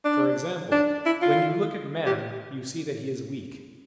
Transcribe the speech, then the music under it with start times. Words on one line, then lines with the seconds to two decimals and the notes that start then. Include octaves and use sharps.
For example, when you look at man, you see that he is weak.
0.05 D4
0.72 D4
1.06 E4
1.22 F4
2.06 G4